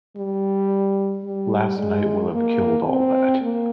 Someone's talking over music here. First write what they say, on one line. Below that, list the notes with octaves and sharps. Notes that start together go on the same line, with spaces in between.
Last night will have killed all that.
G3
G3
G#3
A#3
C4
A#3